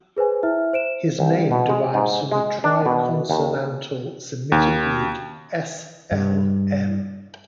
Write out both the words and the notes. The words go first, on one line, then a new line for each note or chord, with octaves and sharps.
His name derives from the triconsonantal Semitic root S-L-M.
G#4 B4 C5 G#5
E4 E5 F6
C5 D7 E7
C2
B2
G#3
G#2
G#3
D4
B2
D#2
D#2
G2